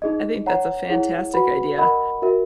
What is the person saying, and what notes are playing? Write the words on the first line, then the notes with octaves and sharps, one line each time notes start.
I think that's a fantastic idea.
D#4 G#4 D#5
C#5 F#5 A#5
E4 G#4 C#5 F#5
F#4 B4 F#5 B5
A#4 D#5 F#5 B5
F#4 A#4 E5